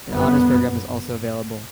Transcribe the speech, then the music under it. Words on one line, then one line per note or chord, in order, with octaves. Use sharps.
An Honors Program is also available.
G1 F#2 B3